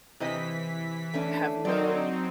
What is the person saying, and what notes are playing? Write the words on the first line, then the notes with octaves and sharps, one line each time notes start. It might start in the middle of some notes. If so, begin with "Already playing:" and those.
have no
C3 E3 C5 D#5 B6
A3 C#4 D4
F#3 C4 D#4 D5